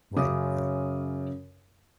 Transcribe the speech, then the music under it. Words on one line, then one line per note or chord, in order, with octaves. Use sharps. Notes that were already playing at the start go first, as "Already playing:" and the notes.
Right, right.
F#2 C#3 D6 D#6